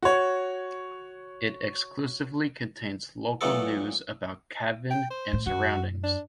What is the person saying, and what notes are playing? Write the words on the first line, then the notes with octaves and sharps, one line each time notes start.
It exclusively contains local news about Cavan and surroundings.
F#4 C#5
A#2 E3 F#3 A3 B3 A4
G5
C5
A2
F#2 F#4
D4